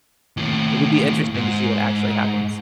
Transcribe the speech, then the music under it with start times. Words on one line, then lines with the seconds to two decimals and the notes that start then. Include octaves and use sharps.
it would be interesting to see what actually happens.
0.37 D#2 A2
1.34 G#2